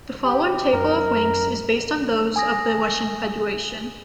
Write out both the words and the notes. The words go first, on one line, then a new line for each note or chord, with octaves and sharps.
The following table of Ranks is based on those of the Russian Federation.
G4
F#2 A#4
G#5 D#6 A#6